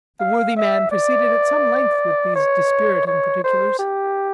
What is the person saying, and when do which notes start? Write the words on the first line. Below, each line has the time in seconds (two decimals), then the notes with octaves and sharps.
The worthy man proceeded at some length with these dispiriting particulars.
0.20 F5
0.57 E5
0.91 D5
2.36 C#5
3.07 C#5
3.44 C5
3.79 G4